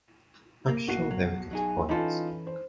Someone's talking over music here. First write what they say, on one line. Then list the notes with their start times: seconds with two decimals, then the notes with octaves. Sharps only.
I'm sure they would get a point!
0.68 A#3
0.87 B1 F#4 C7
1.11 F#3
1.51 F#3 D#4 G#4
1.89 E3 C#4 D#4 F4 A4
2.47 C5